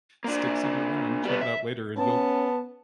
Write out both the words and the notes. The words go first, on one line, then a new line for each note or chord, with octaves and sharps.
sticks in your mind, check it out later and you'll
A#3 D4
G3 B3
E5
B3 C#4 A5